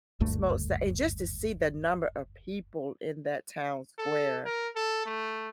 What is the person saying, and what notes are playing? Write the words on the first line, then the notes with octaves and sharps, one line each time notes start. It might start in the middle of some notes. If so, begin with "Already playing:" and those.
smo that and just to see the number of people in that town square.
F#1 D2 G2 A3
A4
A#4
A4
A3